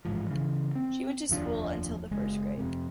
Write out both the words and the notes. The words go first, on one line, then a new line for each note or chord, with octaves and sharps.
She went to school until the first grade.
A1 D2 G#2 F3
C#3 E3
C4
F1 D#2 F3 D4
F#1 G#3
F2 C3